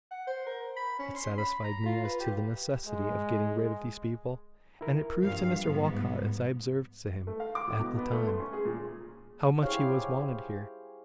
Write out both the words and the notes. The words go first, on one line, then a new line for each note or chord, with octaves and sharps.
It satisfied me as to the necessity of getting rid of these people; and it proved to Mr Walcot, as I observed to him at the time, how much he was wanted here.
F#5
C5
A#4
B5
C#4
C6
B5
A#5
F4
B4
G4
G#3
E4 A#4
G2 F3 G3 F5
G#2 B3
A3
F5
D6
A2
B2
B3
A3
C6
C#4
G#4
A#2
E4 G4 G#4 C5 C#5 F5